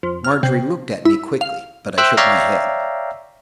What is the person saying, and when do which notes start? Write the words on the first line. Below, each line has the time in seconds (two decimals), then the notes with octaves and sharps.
Margery looked at me quickly, but I shook my head.
0.03 F2
0.24 F6
0.43 C3
1.05 E4
1.41 F5
1.98 C5 E5 G5 E6 F#6
2.17 C#5 D5 E5 F5 G5 A#5